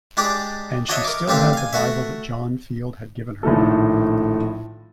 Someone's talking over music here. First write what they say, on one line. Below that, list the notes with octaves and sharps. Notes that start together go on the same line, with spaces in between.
And she still had the Bible that John Field had given her.
G#3 D4 G4 D5
D4 F#4 C#5 D#5 E5
A#4 D6
A1 C4 D4 G4 F5
F5 G#5
A3 F#4 E5
A#1 A2 D#3 A3 A4